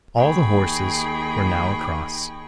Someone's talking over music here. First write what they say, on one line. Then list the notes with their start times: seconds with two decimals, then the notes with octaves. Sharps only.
All the horses were now across.
0.17 D#2 D#4 G#4 G5 B5 C#6